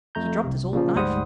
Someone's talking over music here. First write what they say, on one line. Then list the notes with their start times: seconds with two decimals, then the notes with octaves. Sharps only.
He dropped his old knife.
0.15 F2 A3 A#5 G6
0.43 C2 C3
0.73 A#2 C#3 F3
0.95 D2 G#2 G3 C5 F#5 D#6